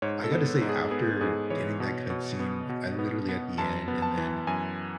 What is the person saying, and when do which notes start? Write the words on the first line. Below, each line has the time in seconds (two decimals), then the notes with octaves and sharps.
I gotta say, after getting that cutscene, I literally at the end, and then
0.02 G#2 C#5
0.24 A4
0.32 B3
0.61 G#2
0.69 G#4
0.91 B3 G#4
1.21 G#2 G#4
1.50 E3 C#5
1.80 B2
2.10 B2
2.40 B3
2.69 B2
2.99 B3
3.29 B3
3.58 F#2 A5
3.88 B3
4.02 A5
4.17 E3
4.47 F#2 G#5